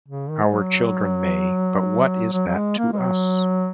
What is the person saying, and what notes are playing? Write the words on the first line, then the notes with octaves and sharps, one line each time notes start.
Our children may, but what is that to us?
C#3
D#3
G#3
F#3
F#3
F#3
G#3
A#3
G#3
F#3